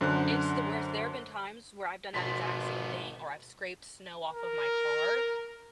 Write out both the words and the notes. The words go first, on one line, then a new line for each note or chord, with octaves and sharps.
It's the worst. There have been times where I've done that exact same thing, or I've scraped snow off of my car,
F#2 D3 C5 F#5 F#6
G#1 B2 F3 B3 C6 A6 B6
A#4